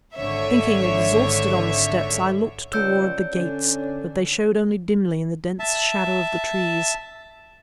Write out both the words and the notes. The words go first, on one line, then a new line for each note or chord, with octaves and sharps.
Sinking exhausted on the steps, I looked toward the gates--but they showed only dimly in the dense shadows of the trees.
G#1 D3 C#5 E5
C#2 C#5 D5 E6 G6
D3 C#4 D4
E5 A5